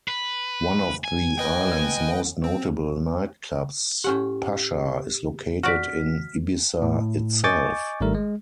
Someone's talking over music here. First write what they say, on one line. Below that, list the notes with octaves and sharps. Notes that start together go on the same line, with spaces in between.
One of the island's most notable nightclubs, Pacha, is located in Ibiza itself.
B4
G#5
B4 D#5 G5
C4
A2 C#4 G4 F#5
F#4 D5 F6 B6
A2
D#5 G#5 C#6 D6 G6 A6
G#1 D#3 G3 A3 A#4
G#3